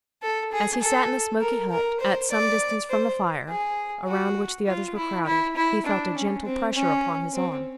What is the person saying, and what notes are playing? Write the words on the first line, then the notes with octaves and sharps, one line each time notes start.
As he sat in the smoky hut, at some distance from the fire, around which the others were crowded, he felt a gentle pressure upon his arm.
A4
G#4
A4
A#4
A#4
C5
D5
C5
G#4
F#4
F4
E4
E4
E4
D4
C#4
C4
C#4
C4